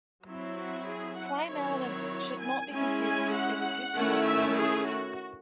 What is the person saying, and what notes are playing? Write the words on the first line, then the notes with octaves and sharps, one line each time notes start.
Prime elements should not be confused with irreducible elements.
F#3 C4 E4
F#4
G#4
F#5
D#3 F#3 C4 E4 C#5
G#5
G#3 C#4 E4 G#5
G#5
F#5
D#3 A3 C#4 E4
E5
G#4
F#4